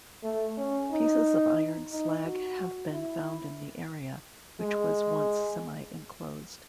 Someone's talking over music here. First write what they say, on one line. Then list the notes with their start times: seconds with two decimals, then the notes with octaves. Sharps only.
Pieces of iron slag have been found in the area, which was once semi-enclosed.
0.23 A3
0.57 C#4
0.91 D#4
1.92 D#4
2.26 F#4
2.92 E4
4.60 G#3